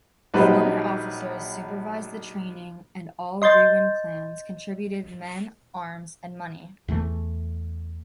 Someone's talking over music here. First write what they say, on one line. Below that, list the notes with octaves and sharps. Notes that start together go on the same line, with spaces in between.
Former officers supervised the training and all Reewin clans contributed men, arms, and money.
A#1 F#3 G3 D#4 B4 C5
D#5 C6 G6 A6
E2 E3 A3